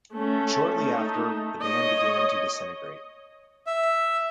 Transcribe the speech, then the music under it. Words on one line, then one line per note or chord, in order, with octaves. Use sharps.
Shortly after, the band began to disintegrate.
A3 C#4
A3 D#4
C#5 D#5
E5